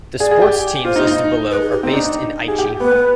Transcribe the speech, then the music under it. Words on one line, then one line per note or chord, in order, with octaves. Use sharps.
The sports teams listed below are based in Aichi.
G#4 D5
G#4
G4
F4 C5
D#4
D#4
B4
G#4
G4
C4 D#4
D4
D#4
G4 G#4
G4
B3 B4
B3